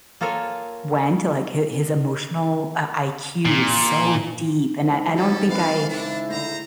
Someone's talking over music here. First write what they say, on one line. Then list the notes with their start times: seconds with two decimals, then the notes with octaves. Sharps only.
went to, like, hi his emotional, uh, IQ was so deep, and I I don't think I
0.21 A#3 F4 A4 A#4 C#5 G#5
3.46 A#2
4.81 G#2
5.14 F#3 G3 C#4 A4
5.48 D#3 E3 C4 B4 D5 F5
5.89 C#3 D4 E4
6.30 D3 A3 C5 A#5